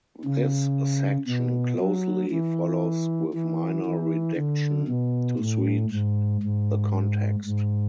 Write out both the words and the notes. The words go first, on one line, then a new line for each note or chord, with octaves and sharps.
This section closely follows with minor redaction to suit the context.
C#3
B2
F#3
E3
E3
E3
D3
B2
A2
G#2
G#2
G#2